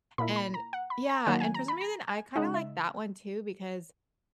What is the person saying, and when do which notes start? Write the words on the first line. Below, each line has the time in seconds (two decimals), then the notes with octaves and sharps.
and yeah, and for some reason, I kind of like that one too, because
0.18 A#2 A#3 E4 B5
0.36 B5
0.54 A#5
0.73 F#5
0.90 B5
1.09 A#5
1.26 D#3 F#3 A#3 F#5
1.40 G#5
1.54 A#5
1.68 B5
1.81 A#5
2.08 G#5
2.36 C#3 G#3 D#4 F#5
2.54 E5